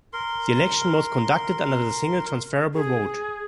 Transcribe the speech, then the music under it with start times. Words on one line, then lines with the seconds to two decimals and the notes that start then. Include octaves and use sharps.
The election was conducted under the single transferable vote.
0.13 A#4 C6
2.74 G#4